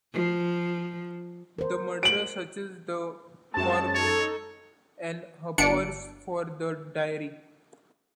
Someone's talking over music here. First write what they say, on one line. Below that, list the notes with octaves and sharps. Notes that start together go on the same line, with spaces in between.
The murderer searches the corpse and her purse for the diary.
F3
A#4 C5
D7 F#7
F#2 G#3 C4 F#4 A5
D#4 A4 C#5
G1 D4 C#7 D7